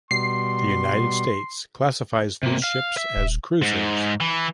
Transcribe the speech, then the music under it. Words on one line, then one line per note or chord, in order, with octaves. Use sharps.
The United States classifies these ships as cruisers.
B2 G3 C6 C7
C3 A#3
F5
E5
D#1
G#2
E3